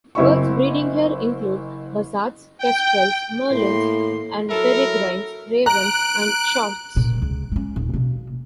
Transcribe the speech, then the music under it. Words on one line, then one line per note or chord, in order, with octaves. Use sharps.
Birds breeding here include buzzards, kestrels, merlins and peregrines, ravens and choughs.
F#1 C4 E4 D#5 E5 C#6
G5
A2 A#3 C6
F#3 E4 A4 A#4
A#5 F#6 D7
A#2 C#3
C#2
G#3 C#4
D#1
B2 A#3